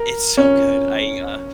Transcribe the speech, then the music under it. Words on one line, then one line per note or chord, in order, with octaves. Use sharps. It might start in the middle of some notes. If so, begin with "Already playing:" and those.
it's so good. I, uh
Already playing: A#4
C#4